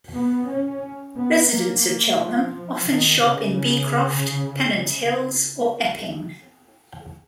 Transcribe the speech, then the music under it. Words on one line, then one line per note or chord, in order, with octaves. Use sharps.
Residents of Cheltenham often shop in Beecroft, Pennant Hills or Epping.
B3
C#4
B3
A#3
F3
D#3
C#3